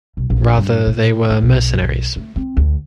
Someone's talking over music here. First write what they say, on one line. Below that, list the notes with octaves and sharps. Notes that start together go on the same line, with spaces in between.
Rather they were mercenaries.
B1
A#1
G2
A#2
D#4
B1
B1
A3
C4
D2